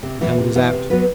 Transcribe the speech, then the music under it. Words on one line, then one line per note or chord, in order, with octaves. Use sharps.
The hand is out.
C3
E3 B3 E4
C3
E3 B3 E4
C3
F#3 B3 F#4 B4